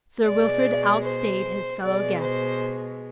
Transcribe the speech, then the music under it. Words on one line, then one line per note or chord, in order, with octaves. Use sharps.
Sir Wilfrid outstayed his fellow-guests.
B2 G#3 D5
C5
B2 G#3 D5
C5